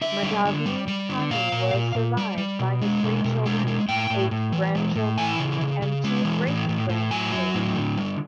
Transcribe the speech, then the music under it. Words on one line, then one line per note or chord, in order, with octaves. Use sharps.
Mahdavi Kani was survived by his three children, eight grandchildren and two great-grandchildren.
D3 E5
G3
D3
G3
G3
D3
A#2 F5
A#2
A#2
A#2
G3
G3
B2
G#3
B2
B2
G#3
G#3
A2 G5
A2
A2
E3
G#3
A2
E3 G#5
C#3
C#3
C#3
G#3
E3
A2
A2
A2
F#3 G#5
F#3
A2
D3
G3